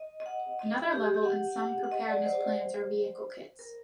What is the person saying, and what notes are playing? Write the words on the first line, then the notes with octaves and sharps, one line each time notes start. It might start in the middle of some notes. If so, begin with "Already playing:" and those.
Another level in some preparedness plans are Vehicle Kits.
Already playing: D#5
D#5
F#5
D#5
G4
G4
G4
F#5
F#5
F#5
D#5
D5
C5
A#4